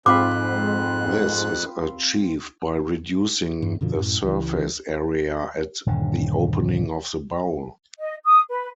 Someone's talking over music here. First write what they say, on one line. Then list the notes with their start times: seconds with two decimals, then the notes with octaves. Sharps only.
This is achieved by reducing the surface area at the opening of the bowl.
0.06 F2 G#2 C4 F4 B5 D6 F#6
3.62 G2
3.81 F#2 B2 D3 F3
3.95 F#2 A2
4.23 C#2 E3
5.86 D#1 G2 D3
7.99 D#5
8.24 D#6
8.49 B4